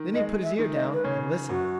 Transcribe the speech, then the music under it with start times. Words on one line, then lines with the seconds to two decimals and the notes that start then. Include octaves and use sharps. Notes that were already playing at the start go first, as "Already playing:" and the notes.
Then he put his ear down and listened.
Already playing: D#3
0.14 G#3 D#5
0.43 E5
0.59 D#3
0.74 D#5
0.94 B4
1.04 C#3 C#5
1.49 F#2 F#4